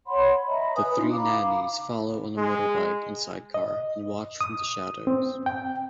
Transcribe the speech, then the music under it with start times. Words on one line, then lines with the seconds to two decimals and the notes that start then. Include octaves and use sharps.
The three nannies follow on a motorbike and sidecar and watch from the shadows.
0.07 C#5 F#5 B5 C6
0.48 D#5 E5 A#5 B5
0.75 B4 G#5 D#6
0.96 D4 D#4 F4
1.11 F5 A#5 B5 D6
2.37 G#3
3.54 D#5
4.41 D#6
5.07 C4
5.46 G5